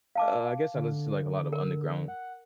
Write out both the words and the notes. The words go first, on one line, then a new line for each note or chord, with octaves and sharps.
Uh, I guess I listen to, like, a lot of underground
F5 A5 D6
D3
A#4
F#5